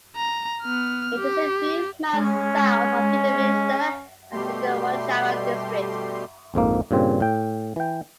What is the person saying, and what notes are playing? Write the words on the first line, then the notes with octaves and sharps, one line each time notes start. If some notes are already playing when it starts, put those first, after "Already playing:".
It is a few miles south of Kidderminster and is in Wychavon district.
A#5
B3 F6
G4
G#3 C#4
B2 G3 A3 G4 C6
A#1 F2 G#2 A#3
G2 A#2 C#3 C4
A2 G5
E3 G5